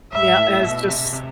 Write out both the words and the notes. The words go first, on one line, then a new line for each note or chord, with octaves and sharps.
Yeah, it's just
G#2 E5
A2
B2
C3
B2
C3